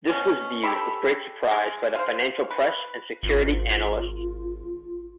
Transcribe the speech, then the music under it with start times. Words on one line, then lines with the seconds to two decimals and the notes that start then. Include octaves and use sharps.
This was viewed with great surprise by the financial press and security analysts.
0.10 B2 C#4
0.63 G4 A4 B5
1.51 G#3
1.95 F4 C5
2.50 B4
3.23 G#1 F4